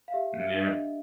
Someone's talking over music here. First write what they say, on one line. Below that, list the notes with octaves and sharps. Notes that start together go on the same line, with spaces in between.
Mm, yep.
F5
G4 E5
E5
D4
D#5